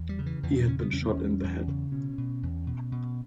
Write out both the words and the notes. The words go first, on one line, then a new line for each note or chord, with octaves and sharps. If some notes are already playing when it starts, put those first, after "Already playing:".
He had been shot in the head.
Already playing: E2
G3
C#3
E3
E2 E3
F#3
C#3 C#4
B3
E2 C#4
B3
E2 C#4
E2
C#3
B2 C#4
B2
E2
B2
B2